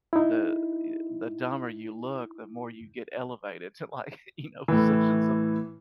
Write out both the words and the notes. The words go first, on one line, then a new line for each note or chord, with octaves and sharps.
the, yu the dumber you look, the more you get elevated to, like, you know, positions of,
D#4 E4
A2 E3